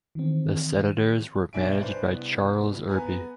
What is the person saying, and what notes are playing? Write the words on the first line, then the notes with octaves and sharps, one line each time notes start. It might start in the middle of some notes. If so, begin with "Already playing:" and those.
The Senators were managed by Charles Irby.
D#3 E3 C4
B1 G2 D4 E5 G#5 D7
D4 B4 C5
C2 B3
B3 B4 G#5 A#5